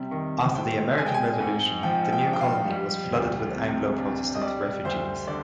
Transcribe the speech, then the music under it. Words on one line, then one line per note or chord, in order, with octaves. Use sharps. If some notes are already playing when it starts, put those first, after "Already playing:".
After the American Revolution, the new colony was flooded with Anglo-Protestant refugees.
Already playing: C3 G3
D#3
C4 G5
G#3 G#5
G5
G#5
G#2
F3 G5
G5
D4
G5
F5
G3
D2
C3
D4
D#5
G3 D5
D2 C5
D3 D5